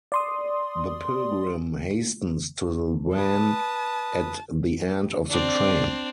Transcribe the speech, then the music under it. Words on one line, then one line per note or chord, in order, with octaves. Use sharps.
The pilgrim hastens to the van at the end of the train.
D5 C6 D#6
B4 A5 D#6
C4 D4 D5